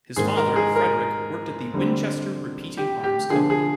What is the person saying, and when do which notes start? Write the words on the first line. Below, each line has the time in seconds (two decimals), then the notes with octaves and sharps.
His father, Frederick, worked at the Winchester Repeating Arms Company.
0.16 G#2 D#3 A#3 G#4
0.37 A#4
0.56 G#4
0.76 A#4
1.73 D3 G3 C4
2.77 G4
3.04 G4
3.30 D3 F3 A#3 D4 G#4
3.50 G#4